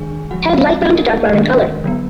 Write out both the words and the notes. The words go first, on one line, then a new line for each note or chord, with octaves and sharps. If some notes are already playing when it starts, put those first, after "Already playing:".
Head light brown to dark brown in color.
Already playing: D#3 G#3 D4 G#4 G#5
D3 F3 G#3 F#4 F#5
F4 F5
F#3 A#3 D4 D#4 D#5
A#4
G#4
G#4
D#3 G#3 D4 A#4
D3 F#3 B3